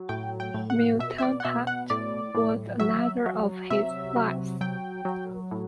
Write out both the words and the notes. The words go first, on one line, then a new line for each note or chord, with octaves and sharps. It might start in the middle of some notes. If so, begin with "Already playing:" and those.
Mutemhat was another of his wives.
Already playing: F#3
A2 G5
G5
A2
F#5
B2 E5
E5
D5
F#5
B2 E5
F#5
A2 D5
A2
F#3 E5
F#3
C3 E5
F#3
F#3 G5
F#3
A2